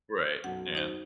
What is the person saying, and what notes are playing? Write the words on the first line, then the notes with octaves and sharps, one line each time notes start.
Right, yeah.
B1 F#2 F#5
D#4 C5